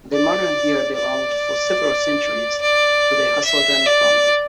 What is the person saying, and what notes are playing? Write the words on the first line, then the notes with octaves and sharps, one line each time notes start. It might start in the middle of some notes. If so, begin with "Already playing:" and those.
The manor here belonged for several centuries to the Hasilden family.
D5
D5
D5
E5
D5